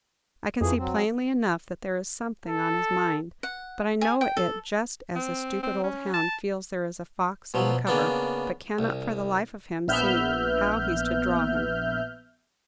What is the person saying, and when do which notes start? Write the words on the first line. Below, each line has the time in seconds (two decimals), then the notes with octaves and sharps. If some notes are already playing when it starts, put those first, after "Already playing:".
I can see plainly enough that there is something on his mind; but I know it just as a stupid old hound feels there is a fox in the cover, but cannot for the life of him see how he's to "draw" him.
0.61 F2 E3 F3 G#4
0.78 F#3 C4
2.47 A4
3.43 F#5
4.01 G#4
4.21 G5
4.37 A4
5.16 C4
5.63 C4
5.84 C#4
6.14 A5
7.54 B2 F3 F#3
7.87 C#3 A#3 B3 D4
8.79 C2
9.87 A#1 B3 E5 F6 G6